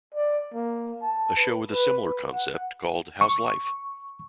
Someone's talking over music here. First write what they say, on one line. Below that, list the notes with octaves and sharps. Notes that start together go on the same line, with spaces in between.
A show with a similar concept called How's Life?
D5
A#3
A5
B4
B4
B4
F#5
C#6